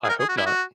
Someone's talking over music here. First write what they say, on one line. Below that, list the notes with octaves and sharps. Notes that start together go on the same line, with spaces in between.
I hope not.
G#4
A#4
G#4
F#4
E4
F#4